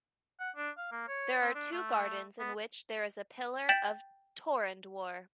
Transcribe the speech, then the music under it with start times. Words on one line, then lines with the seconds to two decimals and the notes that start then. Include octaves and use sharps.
There are two gardens in which there is a pillar of torandwar.
0.40 F#5
0.56 D4
0.77 F5
0.92 A#3
1.08 C#5
1.42 C4
1.55 D4
1.72 A3
2.40 B3
3.69 G5 G6 A6 B6 E7 F#7